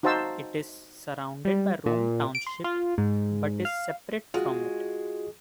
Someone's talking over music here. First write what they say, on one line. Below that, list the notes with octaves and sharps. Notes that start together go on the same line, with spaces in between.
It is surrounded by Rome Township but is separate from it.
D#4 F#4 C5 F5 A5 E6
G3
A#2
D7
C6
F4
G#2
F5
G#3 F4 F#4